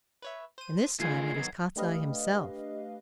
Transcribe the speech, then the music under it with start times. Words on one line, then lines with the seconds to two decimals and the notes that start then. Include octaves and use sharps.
'And this time it is Kostiei himself.
0.22 B4 C#5 E5
0.58 C5 D#7
1.00 D#3 A3 F4 G#4 G#6 C7
1.36 B2 F#3
1.76 A3 D4 G4 B4 D#5 F5